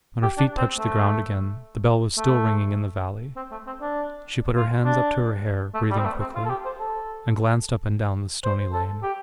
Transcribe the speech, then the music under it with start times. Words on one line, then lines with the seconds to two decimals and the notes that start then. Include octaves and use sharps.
When her feet touched the ground again, the bell was still ringing in the valley; she put her hands up to her hair, breathing quickly, and glanced up and down the stony lane.
0.23 G4
0.38 D4
0.58 C4
0.77 A3
2.17 A3
3.36 C4
3.51 A3
3.67 C4
3.81 D4
4.56 F4
4.85 D4
5.74 A3
5.90 G3
5.98 C4
6.05 A3
6.20 C4
6.35 F4
6.45 A4
6.50 G4
6.65 C5
6.80 A4
8.44 C5
8.73 A4
9.03 G4